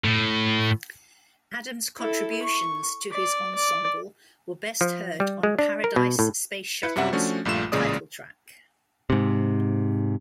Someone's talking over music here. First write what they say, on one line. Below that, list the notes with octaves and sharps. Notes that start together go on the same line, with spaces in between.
Adams' contributions to his ensemble were best heard on "Paradise Space Shuttle"'s title track.
A2
E4 A4
C#6
D5
D5
F3
G3
G#3
D4
A#4
B2
A2
E4 B4 C#7
F#2 C3 G3 E5 F#5
F3 A3 C#4 D4 F#4
A#1 G2 A3 F4 E7
A1 A#2 C#3 G#3 D5 D#6
G#2 C3